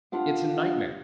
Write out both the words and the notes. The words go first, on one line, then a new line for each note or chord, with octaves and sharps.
It's a nightmare!
B3 D4 F4 G4 F5 F#5